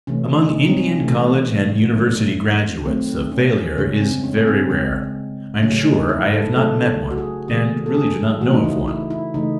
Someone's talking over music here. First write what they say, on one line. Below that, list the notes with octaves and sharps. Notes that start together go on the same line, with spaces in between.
Among Indian college and university graduates a failure is very rare; I am sure I have not met one, and really do not know of one.
C3 E3 A3 C#4
D#4
C#4
C4
C3 E3 A3
D#3 F#3 A3
D#3 F#3 A3 C4
C#4
C#3 G#3 C#4
C4
C#4
C4
C#3 G#3
C#3 F#3 A3 C#4
D#4
E4
A4
C#3 F#3 A3 A4
F#4
G#4
C#3 E3 A3 G#4
A4
G#4
C#3 E3 A3 F#4
D#4
E4
E4
E4
C#3 E3 A3 D#4